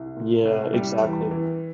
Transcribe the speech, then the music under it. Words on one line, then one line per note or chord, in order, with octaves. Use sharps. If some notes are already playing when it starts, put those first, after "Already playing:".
Yeah, exactly.
Already playing: C2
A#2
C2
G3
E2
E3